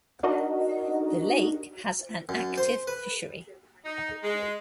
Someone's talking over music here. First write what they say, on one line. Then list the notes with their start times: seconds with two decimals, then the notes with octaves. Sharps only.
The lake has an active fishery.
0.23 D4 D#4 F#4 A#4 D#5
2.29 F#2
2.58 C5
2.87 B4
3.85 D#4
4.24 G#3